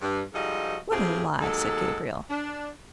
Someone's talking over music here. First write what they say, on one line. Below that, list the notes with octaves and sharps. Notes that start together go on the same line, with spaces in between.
"What a lie!" said Gabriel.
G2
G#2 F3 G3 F#4 A4 D#5
F#2 A2 C4 F4 G4 G#4
D#2 F#3 G#3 A4
D4